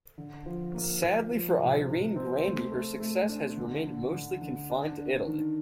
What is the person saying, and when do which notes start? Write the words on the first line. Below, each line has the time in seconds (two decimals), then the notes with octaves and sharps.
Sadly for Irene Grandi her success has remained mostly confined to Italy.
0.18 D3
0.46 F3
0.74 A#3
1.02 A#3
1.31 F3
1.59 C3
1.88 C3
2.16 C4
2.44 A3
2.72 A3
3.00 A3
3.29 D4
3.56 D3
3.85 D3
4.14 D3
4.41 D3
4.70 D4
4.98 D4
5.27 D#3